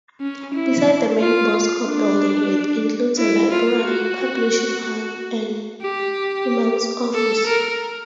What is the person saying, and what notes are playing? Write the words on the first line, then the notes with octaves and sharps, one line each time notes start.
Besides the main mosque building it includes a library, publishing house and Imam's office.
C#4
E4
F4
D4
E4
F4
F#4
G4
A4
A#4